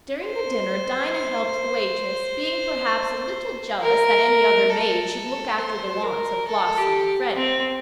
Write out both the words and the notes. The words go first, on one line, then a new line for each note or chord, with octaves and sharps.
During the dinner, Dinah helped the waitress, being perhaps a little jealous that any other maid should look after the wants of Flossie and Freddie.
C5
A#4
A4
C5
A#4
A4
G4
C4